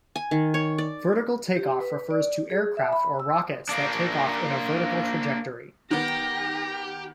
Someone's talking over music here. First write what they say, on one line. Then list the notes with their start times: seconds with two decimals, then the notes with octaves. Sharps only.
Vertical takeoff refers to aircraft or rockets that take off in a vertical trajectory.
0.16 G#5
0.31 D#3
0.54 C#5
0.78 D5
1.56 G4
1.80 B4
2.11 D5
2.50 G#4
2.77 E5
2.93 B5
3.20 E6
3.69 A#3 D4
5.91 D#3 B3 G4 A#6